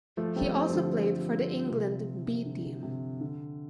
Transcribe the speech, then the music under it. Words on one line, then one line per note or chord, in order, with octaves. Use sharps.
He also played for the England 'B' team.
F3 A3
G3 C4
A3
G3 C4
F3
D3 G3
G3
C3 F3
C3
D3
C3
D3